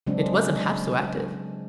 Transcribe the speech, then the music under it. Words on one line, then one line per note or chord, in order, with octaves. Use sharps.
It wasn't half so active.
C#3 F#3 G#3 C4 D4